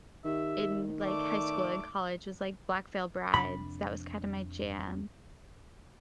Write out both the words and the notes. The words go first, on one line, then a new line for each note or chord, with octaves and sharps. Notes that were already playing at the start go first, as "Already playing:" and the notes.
in, like, high school and college was, like, Black Veil Brides. That was kinda my jam.
D#3 G4 E5
A3 D5 D6
F2 C3 D4 B5